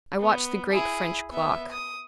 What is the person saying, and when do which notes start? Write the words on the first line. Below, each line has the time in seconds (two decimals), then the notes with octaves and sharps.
I watched the great French clock.
0.19 B3
0.72 E4 G#4
1.30 B3 E5
1.72 D#6